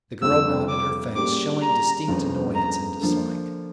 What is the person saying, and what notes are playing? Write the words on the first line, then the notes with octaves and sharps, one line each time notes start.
The girl nodded her face showing distinct annoyance and dislike.
G1 F2 D3 A3 E6
D6
C#3 G3 A#3 D6
A#5
G1 F2 C#3 F3 C#4
A#5
D3 F3 A#3